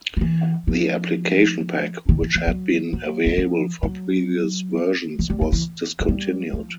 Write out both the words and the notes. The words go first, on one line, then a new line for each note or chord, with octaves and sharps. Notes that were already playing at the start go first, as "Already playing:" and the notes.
The Application Pack which had been available for previous versions was discontinued.
F3
E3
F3
D#3
E3
F3
F#3
F#3
F#3
F3
F#3
F3
G3
F#3
E3
F#3
G3
F3